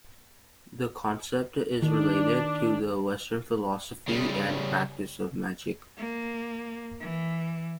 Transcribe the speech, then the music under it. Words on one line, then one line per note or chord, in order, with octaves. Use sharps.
The concept is related to the Western philosophy and practice of magic.
D#3 D4
C#3 G3
A#3
E3